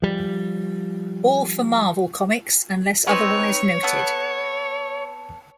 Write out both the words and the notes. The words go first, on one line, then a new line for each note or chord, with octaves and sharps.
All for Marvel Comics unless otherwise noted.
F3 G3
C4 D#4 B4 C#5
B3 A4 F#5